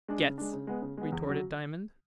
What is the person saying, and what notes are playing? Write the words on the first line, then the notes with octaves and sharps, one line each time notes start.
"Gets!" retorted Diamond.
G#3 D4
C#3
G#3 D4
C#3
G#3 B3
C#3
G#3 B3
E2
C#3 F#3